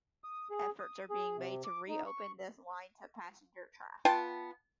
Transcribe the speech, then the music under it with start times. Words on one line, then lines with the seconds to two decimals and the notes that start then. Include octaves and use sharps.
Efforts are being made to reopen this line to passenger traffic.
0.24 D#6
0.50 G#4
0.80 D#6
1.10 G#4
1.37 C3
1.65 D6
1.88 D#4
2.06 C#6
4.05 B3 F4 G5 A5